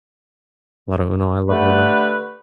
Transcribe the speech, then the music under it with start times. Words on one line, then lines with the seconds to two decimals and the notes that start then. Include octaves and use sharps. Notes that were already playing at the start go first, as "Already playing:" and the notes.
A lotta UNO; I love UNO.
1.49 D3 A3 G4 B4